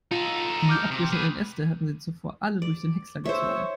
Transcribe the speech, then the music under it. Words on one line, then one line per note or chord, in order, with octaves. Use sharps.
Die abgeschnittenen Äste hatten sie zuvor alle durch den Häcksler gezogen.
D#4 F4 A4
D6 F6 G6
C3
G#4 B4
D5
C5 C#5 E5